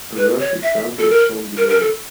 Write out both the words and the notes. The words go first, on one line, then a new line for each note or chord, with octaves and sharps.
A worked example is shown below.
B4
C#5
E5
A4
A#4
A#4
A#4
A4